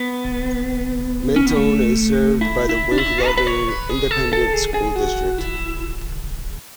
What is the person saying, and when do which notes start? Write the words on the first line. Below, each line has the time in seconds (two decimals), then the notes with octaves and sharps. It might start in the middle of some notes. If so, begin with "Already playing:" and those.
Mentone is served by the Wink-Loving Independent School District.
Already playing: B3
1.36 C#4
1.46 B3
1.56 A3
2.41 E4
2.69 E4
2.91 D4
2.98 E4
3.26 B4
3.38 B4
3.47 C#5
3.68 B4
3.90 G#4
4.11 A4
4.33 A4
4.53 G#4
4.74 G#4
4.96 F#4
5.38 E4